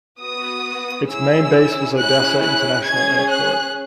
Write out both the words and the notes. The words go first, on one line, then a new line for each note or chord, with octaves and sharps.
Its main base was Odessa International Airport.
B3 F#4 D#6
C#4 E4 G#4 E6
C#4 E4 G#4 F#6
F#6
C#4 G#4 G#6
F#6